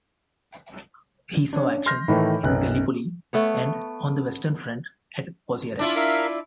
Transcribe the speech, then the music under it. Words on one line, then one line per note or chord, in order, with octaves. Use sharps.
He saw action in Gallipoli and on the Western Front at Pozieres.
C#4 D4
C6 F6 G6 A#6
A2 D#3 E3 A3
B1 F#2 B4 F#6
A3 B3 C#5
D4 E4 F4
A#4 E5 F5